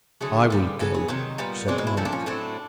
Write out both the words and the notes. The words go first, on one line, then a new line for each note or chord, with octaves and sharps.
"I will go," said the monk.
D3 F#3 A3 G#4
D3 G3 B3
C#3 F#3 B3 A4
G#4
C3 D#3 F#3 D#4
A#2 G3 B3
B2 G#3 C4 D4
D#4
E4
A#2 F3 A3 E4
D4
C#4
A2 F#3 A3 C4 D4